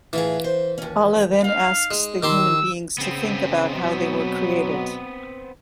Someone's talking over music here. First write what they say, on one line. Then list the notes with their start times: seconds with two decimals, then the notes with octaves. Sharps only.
Allah then asks the human beings to think about how they were created.
0.13 A2 E3 F4 G#4
0.44 C5
0.78 D#2 C#4
1.44 D#4 F5
1.91 G#3
2.23 D#3 G4 C6 E6
2.98 C#3 B3 C4
3.74 B2 F#3